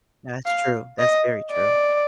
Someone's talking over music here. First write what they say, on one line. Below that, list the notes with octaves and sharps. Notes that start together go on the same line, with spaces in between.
That's true, that's very true.
F5
D#5
D5